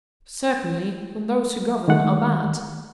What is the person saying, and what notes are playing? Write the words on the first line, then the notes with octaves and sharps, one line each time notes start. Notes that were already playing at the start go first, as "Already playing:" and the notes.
"Certainly, when those who govern are bad."
D#3 G#3 A3 F#5